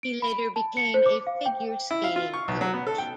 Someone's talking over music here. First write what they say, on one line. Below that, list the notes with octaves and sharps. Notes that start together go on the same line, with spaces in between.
He later became a figure skating coach.
D7
B5
A5
C#7
C5
D6
F5
G5
E4
F5
F4
C#6
B1
F#3
B3
A4
G5